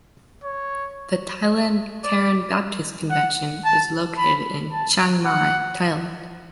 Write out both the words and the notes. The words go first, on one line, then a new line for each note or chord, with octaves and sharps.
The Thailand Karen Baptist Convention is located in Chiang Mai, Thailand.
C#5
D5
F#5
A5
B5
A5
F#5